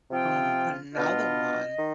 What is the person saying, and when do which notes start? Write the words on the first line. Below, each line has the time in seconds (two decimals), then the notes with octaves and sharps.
um, another one
0.11 C3 F3 C4 F4 G5
0.93 B2 B3 D4 F4 D#5
1.78 D#3